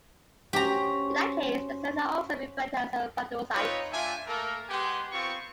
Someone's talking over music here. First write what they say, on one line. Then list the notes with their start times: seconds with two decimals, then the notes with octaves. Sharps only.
In that case the cells are also referred to as "vanadocytes".
0.53 C#4 F#4 G4 C5 A#5
3.53 C4 D#4 F4 B4 C#5
3.91 A3 D4 F4 E5 G5 G#5
4.27 A3 A#3 A4 A#4
4.69 G#3 B3 G4 F#5 G#5 C6
5.12 B3 C4 F4 C#6